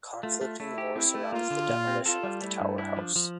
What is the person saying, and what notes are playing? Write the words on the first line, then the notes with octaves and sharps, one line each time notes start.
Conflicting lore surrounds the demolition of the tower house.
A3 F4
A3
A3 E4
G4
C4 E4
A3
A#3 F4
D3
A#2
C4
F4 A4
G3
A3 E4
G2
D4 E4
F3
F3